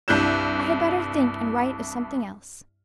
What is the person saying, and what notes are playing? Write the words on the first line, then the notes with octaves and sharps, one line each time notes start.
I had better think and write of something else.
C2 G2 E4 F#6 G6 E7